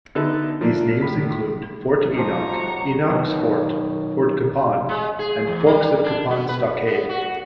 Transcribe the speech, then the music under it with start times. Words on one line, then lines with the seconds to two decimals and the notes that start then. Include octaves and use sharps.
These names include: Fort Enoch, Enoch's Fort, Fort Capon, and Forks of Capon Stockade.
0.15 D3 B3 D#4 E4 A4
0.61 F3 A#3 D4
1.01 A2 B5 B6
2.14 F3 G4 D#5 A#5 C#6
2.64 C#5 F#5
3.10 B2 D#3 F#3
4.89 G#3
5.19 G#4
5.47 E2
5.66 G3
6.04 D4
6.30 B3
6.49 B4
6.86 B3
7.09 F#4